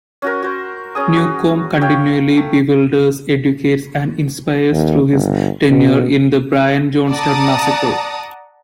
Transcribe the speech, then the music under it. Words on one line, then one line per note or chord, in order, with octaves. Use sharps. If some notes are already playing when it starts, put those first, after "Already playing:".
Newcombe continually bewilders, educates and inspires through his tenure in the Brian Jonestown Massacre.
C#4 F#4 A#4
F#4 C5
C#4 G#4 D#6
F#4
C#5 E5 F5 G5
A3
D#2
G1
B2
D5 F#5 A5 A#5 D#6